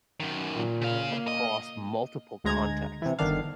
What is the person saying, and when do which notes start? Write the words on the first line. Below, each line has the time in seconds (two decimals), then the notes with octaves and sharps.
across multiple contexts.
0.20 F#2 D#3
0.54 A#2
0.82 C#3 F5
1.07 A#3
1.27 D#5
2.44 D2 G#3 A#5 G#6
3.02 C3 E3
3.19 G1 D3 D#3 D4 F5